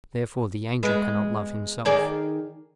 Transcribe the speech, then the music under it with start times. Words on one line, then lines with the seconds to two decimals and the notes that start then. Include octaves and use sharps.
Therefore the angel cannot love himself.
0.83 G#3 B3
1.85 D#3 G#4 D5